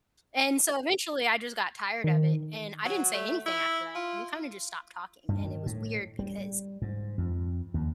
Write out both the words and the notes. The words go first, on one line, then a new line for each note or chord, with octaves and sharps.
And so eventually, I just got tired of it and I didn't say anything after that. We kinda just stopped talking, and it was weird because
D#3
F#3
A3
E4
F4
G2
D#3
A2
G3
G#2
F2
D#2